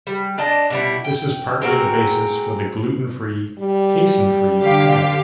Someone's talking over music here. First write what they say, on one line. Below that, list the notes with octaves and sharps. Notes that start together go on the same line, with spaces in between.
This is partly the basis for the gluten-free, casein-free diet.
G3
D4 D5 D#5 A5
B2 G3 E4
G5
G#3 C4 F#4 A#4
G3
D3 G4 F5